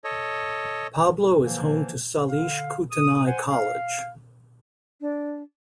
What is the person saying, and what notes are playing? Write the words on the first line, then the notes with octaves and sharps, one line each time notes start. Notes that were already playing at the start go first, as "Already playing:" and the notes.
Pablo is home to Salish Kootenai College.
A4 C#5 D#5
A#2 D3 E3 F3 A#3
D3 F5
D#6
C5 F#5 G#5
F5
D4